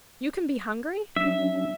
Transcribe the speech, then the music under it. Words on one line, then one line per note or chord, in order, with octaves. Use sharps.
"You can be hungry?"
F#3 C#4 D4 E5